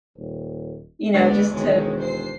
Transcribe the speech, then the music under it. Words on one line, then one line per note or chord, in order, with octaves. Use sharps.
You know, just to
D#1
D2 G#3 A#3 B3 D5 A6
E1 D#3 G#3 C#4
C5 C7